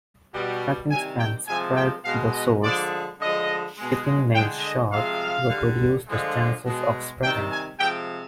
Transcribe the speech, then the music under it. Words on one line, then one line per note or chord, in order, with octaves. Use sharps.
Scratching can spread the sores; keeping nails short will reduce the chances of spreading.
B2 G3
C3 D#3 G3 G#5
G5
C3 F3 G#3 G#5
G5
B2 G#3 F5
D#5
D3 F3 G#3 D5
D3 F3 G#3 D#5
B2 G#3
D3 G#3 G5
D#5
C3 F3 G#3 F5
D3 G3
D3 F3 G#3
B2 G#3
C3 D#3 G3 G5
G#5
C3 F3 G#3 G5